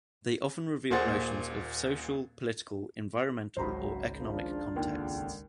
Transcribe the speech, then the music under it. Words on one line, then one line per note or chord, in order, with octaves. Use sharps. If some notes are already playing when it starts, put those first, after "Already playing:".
They often reveal notions of social, political, environmental or economic contexts.
D#1 A#2 G#4 C5 F#5 A6
G#1 C#2 F#3 C5 A#5 B5
F3 D4 F4
D#2 D3